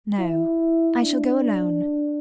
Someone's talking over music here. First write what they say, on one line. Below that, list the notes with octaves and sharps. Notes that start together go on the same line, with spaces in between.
"No; I shall go alone."
E4
D4